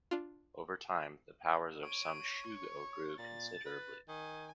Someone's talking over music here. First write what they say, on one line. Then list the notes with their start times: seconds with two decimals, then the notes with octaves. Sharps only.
Over time, the powers of some "shugo" grew considerably.
0.11 D4 F4
1.84 C#5 D7 D#7
2.46 C#6
3.18 A#2 A6
3.66 B4
4.08 D#3 G#5